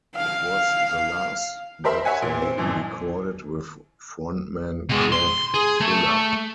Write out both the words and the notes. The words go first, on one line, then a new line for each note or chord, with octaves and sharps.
It was the last that they recorded with frontman Craig Fuller.
F5
G4 A#4 C5 E5 B5 C6
C#5 E5 F#5 G#5
A#2
C4
G1 F#2 A#2 E3
B2 G#3
C6
G#4
A3